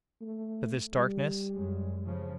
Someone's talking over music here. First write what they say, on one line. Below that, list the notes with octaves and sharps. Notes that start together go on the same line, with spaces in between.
"But this darkness?"
A3
G3
F#2 G#3
C#3 F3